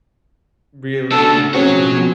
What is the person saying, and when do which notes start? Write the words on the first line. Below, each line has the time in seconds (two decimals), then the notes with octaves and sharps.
really be
1.12 C#3 A3 D4 F#4 A4
1.54 B2 F3 F#3 C4 C#4 F#4 G#4 C#5